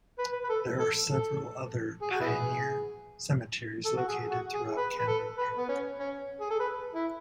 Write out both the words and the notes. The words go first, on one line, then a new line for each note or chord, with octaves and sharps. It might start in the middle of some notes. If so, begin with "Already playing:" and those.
There are several other "pioneer" cemeteries located throughout Cameron Park.
B4
B4
B4
A4
A4
A4
G#4
F#4
B3 E4 G#4
A4
F#4
G#4
F#4
G#4
B4
B4
A4
B4
B3
C#4
C#4
G#4
A4
B4
E4